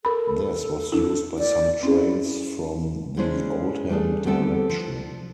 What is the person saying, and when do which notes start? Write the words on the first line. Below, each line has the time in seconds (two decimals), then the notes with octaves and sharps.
This was used by some trains from the Oldham direction.
0.05 A4 A#4 B5
0.92 D4 E4 A4
1.39 D5
1.83 C4 C#4 E4 G#4
3.17 C#3 G#3 C#4 D4 E4 C5
3.89 G3 A3 D4 G#4
4.24 D2 G3 B3 C4 A4
4.69 F3 D4